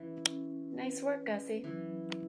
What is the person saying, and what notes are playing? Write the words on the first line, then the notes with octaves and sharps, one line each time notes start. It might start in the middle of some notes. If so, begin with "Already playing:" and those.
Nice work, Gussie.
Already playing: E3 C#4
C#4
B4
B4
E3 F#3
E4